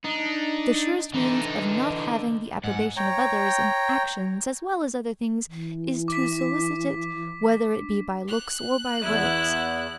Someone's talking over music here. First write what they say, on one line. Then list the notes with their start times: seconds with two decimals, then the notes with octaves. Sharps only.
The surest means of not having the approbation of others, in actions as well as other things, is to solicit it, whether it be by looks, or by words.
0.04 D4 D#4
1.14 D3 E3 D#4
2.64 G#2 F#5
2.97 C#5 G5 A#5
5.46 E3
6.08 D6 B6
7.77 D4
8.27 F#6
9.02 E2 E4